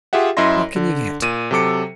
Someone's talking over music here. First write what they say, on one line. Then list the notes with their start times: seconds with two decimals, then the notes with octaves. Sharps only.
"What can you get?"
0.13 F4 G4 G#4 E5 F#5
0.37 F#2 E4 D#5 E5 C6 A#6
0.76 D3
1.22 A#2 D#7
1.51 C3 F#3 A4 D6 C#7